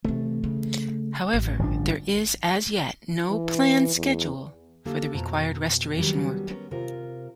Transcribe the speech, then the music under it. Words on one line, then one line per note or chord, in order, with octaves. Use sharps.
However, there is as yet no planned schedule for the required restoration work.
C3 E3 A3
C#3
A1
G1 F3 D4
E3
E2
D3 A#3 G4 A4
F2 B2 A5 A#5
D#3 F#3 G3 B3 C#4
B3 C#4 A#4
C3 F4 A#4